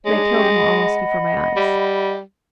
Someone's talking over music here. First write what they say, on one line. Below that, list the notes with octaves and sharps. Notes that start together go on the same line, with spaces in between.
"They killed him almost before my eyes."
G#3 D4 D#4 C#5
C#4 G4
D#5 F#5 B5
G3